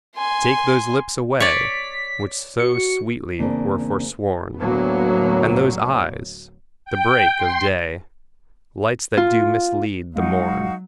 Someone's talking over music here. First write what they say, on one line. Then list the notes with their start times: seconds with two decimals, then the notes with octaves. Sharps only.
Take those lips away Which so sweetly were forsworn; And those eyes,--the break of day, Lights that do mislead the morn.
0.16 G#5 C6
1.40 C#5 D5 B6
2.60 F#4 C#7
3.39 E2 C#3 A#3 C4 D4
4.58 D2 A2 F#3 A#3 B3
6.85 G5
7.37 C6
9.17 F4
10.16 F#3 G#3 D#4 F#4 F5